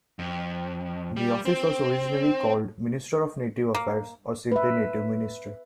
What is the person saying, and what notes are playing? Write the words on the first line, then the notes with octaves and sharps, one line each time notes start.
The office was originally called Minister of Native Affairs, or simply Native Minister.
F2
G3
C4
A#3
B4 E5